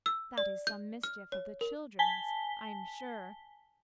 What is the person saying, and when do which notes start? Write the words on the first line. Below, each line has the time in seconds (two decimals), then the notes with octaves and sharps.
That is some mischief of the children's, I am sure.
0.06 E6
0.38 D5
0.67 G6
1.04 F6
1.32 C#5
1.61 A#4
1.99 G#5 A5 B6 G7